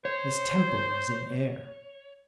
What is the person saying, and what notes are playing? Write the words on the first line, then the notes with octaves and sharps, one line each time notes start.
This temple is in air.
C5 C#5